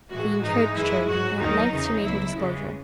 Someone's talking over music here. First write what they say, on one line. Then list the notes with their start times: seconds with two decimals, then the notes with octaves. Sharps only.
He encouraged her, and at length she made her disclosure.
0.10 A2 E3 G#3 F#4
0.42 G#2 E3 G#3 D#4
0.74 F#2 E3 G#3 E4
1.06 G#2 F#3 F#4
1.38 D#2 D#3 F#3 D#4
1.70 E2 C#3 E3
2.02 C#2 B2 F#3 E4
2.34 E2 C#3 E3 G#3